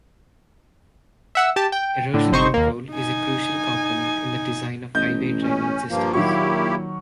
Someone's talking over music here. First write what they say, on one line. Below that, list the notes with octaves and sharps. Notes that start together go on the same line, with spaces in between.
Erosion control is a crucial component in the design of highway drainage systems.
E5 F#5 E6
G4 A5
G5
A2 D3
G1 C3 D#4 C5 C6 C#6
D#2 A#3
D#4 G#5
A1 D#5 G6
C#4
G2 A#2 F3 A#3
D#3 F#3 A#3 E4 G4 C#6